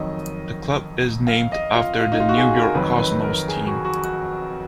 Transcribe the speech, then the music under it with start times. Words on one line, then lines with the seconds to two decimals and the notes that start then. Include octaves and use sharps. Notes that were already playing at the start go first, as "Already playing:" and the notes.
The club is named after the New York Cosmos team.
Already playing: F2 D#3 F#3 D#5
1.27 F5
1.52 D#5
1.76 F4
2.01 F4
2.12 D#4
2.20 F4
2.29 F#4
2.37 G#4
2.56 A#4
2.74 F2 D#3 F#3 B4
2.99 B4
3.23 A#4
3.48 G#4
3.67 F#4
3.85 F#4
4.04 F#4